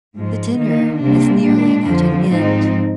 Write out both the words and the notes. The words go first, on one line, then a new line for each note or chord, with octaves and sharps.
The dinner is nearly at an end.
G#2 F3 G#3
D#3 A#3 D#4
C3 G3 A#3 D4
A#2 G#3 D4
F2 D3 F3
G#2 F3 C4 D#4